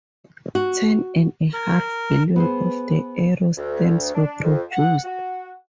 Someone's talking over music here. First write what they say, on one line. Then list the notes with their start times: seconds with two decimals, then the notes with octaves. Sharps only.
Ten and a half billion of the error stamps were produced.
0.55 F#4
1.53 A#4
2.36 B3 G#4 C5
3.57 D2
4.14 D4
4.44 F2
4.71 F#5
5.04 F#4